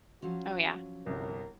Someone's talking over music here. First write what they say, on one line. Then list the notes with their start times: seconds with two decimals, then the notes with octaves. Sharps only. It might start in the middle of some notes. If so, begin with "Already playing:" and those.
Oh, yeah.
0.22 F3 F#3 C#4 F#4
1.06 G1 C2 A#4